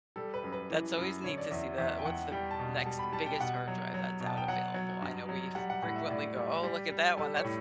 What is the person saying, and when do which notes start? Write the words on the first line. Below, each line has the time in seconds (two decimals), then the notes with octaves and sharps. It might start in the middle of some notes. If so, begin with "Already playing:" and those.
That's always neat to see the what's the next biggest hard drive that's out available. I know we f frequently go, "Oh, look at that one, that's"
0.16 G3 A4
0.34 B4
0.43 F#2
0.52 B4
0.70 E3
0.98 F#2
1.24 D3 C#5
1.38 D5
1.51 E2 E5
1.78 E2 E5
1.99 G5
2.05 E2 F#5
2.32 G3 G5
2.51 A5
2.59 B2
2.85 G3 A5
2.99 B5
3.13 G3 A5
3.26 G5
3.40 B2 F#5
3.68 F#3
3.94 F#3
4.20 B2
4.27 A5
4.37 G5
4.48 F#3 F#5
4.74 F#3
5.01 G2
5.29 F#3
5.55 G3 F#5
5.70 F#5
5.82 A2 F#5
5.96 E5
6.10 A2 D5
6.36 G3
6.63 G3
6.90 G3
7.17 G3 A4
7.36 C#5
7.44 A2